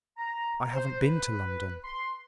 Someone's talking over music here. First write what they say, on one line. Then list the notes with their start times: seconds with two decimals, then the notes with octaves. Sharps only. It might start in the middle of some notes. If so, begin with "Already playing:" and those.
'I haven't been to London.
0.18 A#5
0.73 C5
1.01 B4
1.84 C6